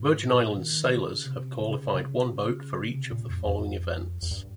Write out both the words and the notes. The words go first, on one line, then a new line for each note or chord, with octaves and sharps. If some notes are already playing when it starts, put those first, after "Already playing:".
Virgin Islands sailors have qualified one boat for each of the following events.
Already playing: G#2
A#2
D#3
C#3
C3
C#3
C#3
C3
A#2
F2
F2
F2
G2